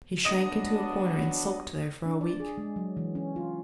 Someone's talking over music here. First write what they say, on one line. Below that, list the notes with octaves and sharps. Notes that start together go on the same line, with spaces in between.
He shrank into a corner and sulked there for a week.
F#3 B3 D4 D#5 D#6
D4
D5
G#4
G#3
F#3
E3
C#4
F4